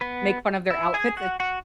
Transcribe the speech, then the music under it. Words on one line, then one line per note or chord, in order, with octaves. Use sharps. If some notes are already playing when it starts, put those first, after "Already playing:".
make fun of their outfits, it's
B3 B4
E4 E5
G#4 G#5
F#4 F#5
F#4 F#5